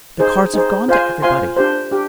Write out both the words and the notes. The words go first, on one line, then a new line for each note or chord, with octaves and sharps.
The cards have gone to everybody.
D#4 G#4 C5
D#4 G#4 C5
F4 C5 F5 G#5 C6
F4 C5 F5 G#5 C6
D4 G4 C5
D4 G4